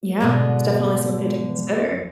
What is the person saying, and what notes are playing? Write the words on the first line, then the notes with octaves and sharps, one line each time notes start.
Yeah. It's definitely something to consider.
G#2 B2 D3